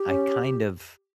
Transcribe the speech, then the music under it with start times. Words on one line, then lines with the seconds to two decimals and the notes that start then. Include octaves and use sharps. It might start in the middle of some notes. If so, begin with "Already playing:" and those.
I kind of
Already playing: G4
0.09 C#4